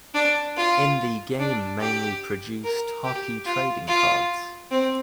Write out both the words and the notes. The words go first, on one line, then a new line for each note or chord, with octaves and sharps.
In The Game mainly produced hockey trading cards.
D4
F4
D4
G4
A#4
G4
F4
F4
C4